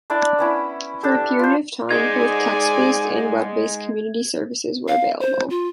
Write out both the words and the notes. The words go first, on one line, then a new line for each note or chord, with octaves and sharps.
For a period of time, both text-based and web-based community services were available.
D4 E4 D5
B3 C#4 E4
D4 G4 A4
F4 C5
G#3 D#4 G#4 D5 G#5 G#6
F5
C5
F4